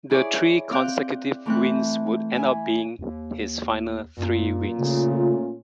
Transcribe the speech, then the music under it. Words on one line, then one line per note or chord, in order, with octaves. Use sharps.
The three consecutive wins would end up being his final three wins.
E4 G#4 C#5 D5
C4 F5 D6 F#6 G6
E3 A3 C4 A4 F#6
E4 G#5
D#2
F#2 A#2
C#3 A3 C#4 F4